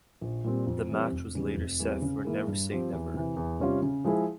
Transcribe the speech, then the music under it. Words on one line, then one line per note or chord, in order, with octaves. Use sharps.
The match was later set for Never Say Never.
A#1
A#2 G3 C4
F2
E3 G3 C4
F1
E2 C#3 G3
F1
E2 E3 G3 C4
C#3
E3 A#3 E4 G#4
G2
F3 C4 G4
E2
C3 E3
E2
C3 G3 C#4 F4
C#3
F3 G#3 E4 G#4